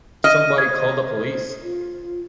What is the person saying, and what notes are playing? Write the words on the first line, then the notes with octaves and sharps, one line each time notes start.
Somebody call the police!
D#5 F6
C5 G#6
F4